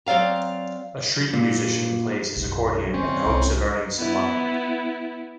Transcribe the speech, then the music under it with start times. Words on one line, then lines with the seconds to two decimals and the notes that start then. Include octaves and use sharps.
A street musician plays his accordion in hopes of earning some money.
0.06 F#3 C4 D5 F5 A#5
1.33 A#2
2.36 B1 F#2
2.94 D#3 C4 C#4
3.25 C2 G#2
3.96 B3 E4